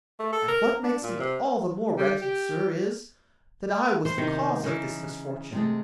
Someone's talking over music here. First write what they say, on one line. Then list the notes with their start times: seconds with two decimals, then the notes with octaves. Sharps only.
"And what makes me all the more wretched, sir, is, that I was the cause of this misfortune."
0.19 A3
0.33 A4
0.48 A#4
0.83 D4
1.03 A#2
1.20 C3
1.98 G3
2.22 G4
4.05 E3 C5
4.18 C3 D#3
4.63 C#3 E3 C#4 D#4
5.53 C3 G#3 A3